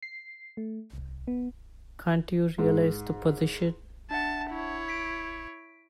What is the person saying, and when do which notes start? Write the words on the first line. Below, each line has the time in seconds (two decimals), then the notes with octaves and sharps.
Can't you realize the position?
0.03 C7
0.57 A3
0.93 C2
1.27 B3
2.58 G#2
4.11 D4 E5 F#5 A5
4.51 E4 C#5
4.89 B6 D7